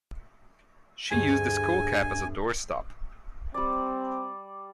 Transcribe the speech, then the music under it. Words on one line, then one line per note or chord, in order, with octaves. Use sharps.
She used the skull cap as a doorstop.
D2 G2 G#4 G#5
G3 C4 D5